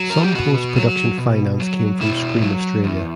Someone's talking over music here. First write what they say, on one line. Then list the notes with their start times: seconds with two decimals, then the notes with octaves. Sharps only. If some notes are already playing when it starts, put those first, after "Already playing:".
Some post production finance came from Screen Australia.
Already playing: F#3
0.10 A#4
0.23 G4
0.35 B2 F#4
0.76 F#3
1.18 B2
1.60 F#3
2.01 B2 E4
2.42 F#3
2.84 E2